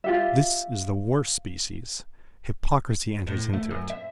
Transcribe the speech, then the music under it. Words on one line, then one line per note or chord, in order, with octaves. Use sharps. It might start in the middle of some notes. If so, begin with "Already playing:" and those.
This is the worst species; hypocrisy enters into it.
F4 G4 E5
A2
A3
F#2
E5